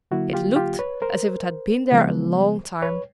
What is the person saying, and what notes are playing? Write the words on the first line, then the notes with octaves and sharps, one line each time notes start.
It looked as if it had been there a long time.
D3 F#3 A#3 E4 F#4
F4 G4
F4 G4
B4 C#5
A#4 C5
C#3 F3 G#3 B3
B4 C#5